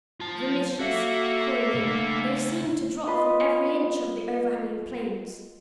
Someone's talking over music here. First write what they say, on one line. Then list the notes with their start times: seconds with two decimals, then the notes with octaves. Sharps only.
Vermiceous, coiling, they seemed to drop from every inch of the overhanging planes.
0.20 F4 A5
0.79 A#3 F#4 A4 E5
1.74 C#3 A3
3.07 F4 B4 D#5